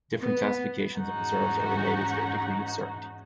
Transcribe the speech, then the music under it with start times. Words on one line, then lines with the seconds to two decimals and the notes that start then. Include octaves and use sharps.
Different classifications of reserves are related to their degree of certainty.
0.22 B3
0.97 E2 G#2 C#4 D#4 F#4 F#5